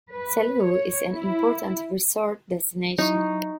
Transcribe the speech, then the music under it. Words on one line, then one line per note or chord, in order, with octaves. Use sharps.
Salou is an important resort destination.
B4
C#5
E4
F#3 D#4 E4 C#6